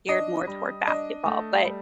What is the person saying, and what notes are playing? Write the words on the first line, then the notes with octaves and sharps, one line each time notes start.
geared more toward basketball. But,
D4 D#5
G3
D4 D#5
A3
G3